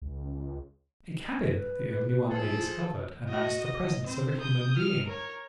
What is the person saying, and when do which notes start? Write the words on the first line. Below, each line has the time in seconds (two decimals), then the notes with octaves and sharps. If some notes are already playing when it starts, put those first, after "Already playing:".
A cabin, the only one they discovered, announced the presence of a human being.
0.02 C#2
1.51 B4
2.29 F3 G#4 A4
3.29 F#4 D#5
3.61 D#5
4.04 C4 C5
4.40 D#6 G6
4.76 F6
5.06 A#4 C#5